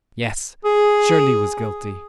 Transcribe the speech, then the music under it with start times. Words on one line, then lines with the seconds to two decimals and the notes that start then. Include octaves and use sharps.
Yes, Shirley was guilty.
0.65 G#4